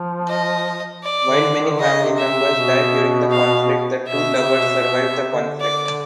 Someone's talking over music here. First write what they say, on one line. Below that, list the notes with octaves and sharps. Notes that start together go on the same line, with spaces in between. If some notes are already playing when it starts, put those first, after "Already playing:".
While many family members die during the conflict, the two lovers survive the conflict.
Already playing: F3
D#5
D5
D3
D3
D#3
D3
C#3 D#5
C3
E5
C3
B2
F5
B2 E5
C3
C#3
C3
B2
A#2
B2
C3
D3
D5